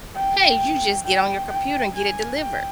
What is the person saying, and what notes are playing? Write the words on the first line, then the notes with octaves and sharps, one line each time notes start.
hey, you just get on your computer and get it delivered.
G5
G5
G5
G#5
G5